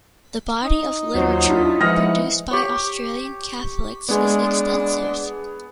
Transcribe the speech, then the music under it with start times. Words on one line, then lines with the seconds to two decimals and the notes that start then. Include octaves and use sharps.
The body of literature produced by Australian Catholics is extensive.
0.64 D#4
1.15 D#2 F#3 F4 C5
1.50 D4 E4 F4
1.81 E3 F3 G#3 F#5 D#6 F6 A#6
2.51 G4 C#5
4.09 G#3 B3 D4 G#4